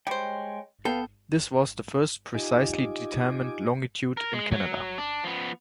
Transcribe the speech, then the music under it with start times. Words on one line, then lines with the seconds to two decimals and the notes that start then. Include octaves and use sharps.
This was the first precisely determined longitude in Canada.
0.07 G3 G#3 C5 C#5 G5
0.85 B3 A4 B4 F5 G5
2.34 D#4 F4 G4 D#5 G#5 D6
4.17 A#4
4.34 G#3
4.52 F#3
4.98 D4
5.24 F3 B3